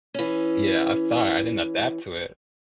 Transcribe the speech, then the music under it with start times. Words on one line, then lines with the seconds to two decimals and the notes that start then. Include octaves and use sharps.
Yeah, I saw it, I didn't adapt to it.
0.14 E3 C#4